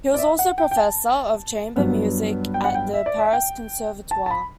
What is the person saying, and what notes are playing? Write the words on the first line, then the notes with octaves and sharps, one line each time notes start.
He was also professor of Chamber Music at the Paris Conservatoire.
D5
E5
F#5
G5
G5
A5
G2 F#3 B3
G5
F#5
G5
E5
D5
E5
G5
A5
A5
B5